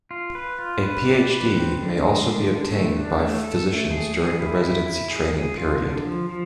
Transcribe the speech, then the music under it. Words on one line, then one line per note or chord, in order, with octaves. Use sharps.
A PhD may also be obtained by physicians during the residency training period.
F4
B4
F4
B4
D5
B4
C4
D3
G#3
D3
D3
A3
D4
A3
A4
A3
G#4
G#4
E4
E4
E4
G#4
G#4
F4
D3
F3
F3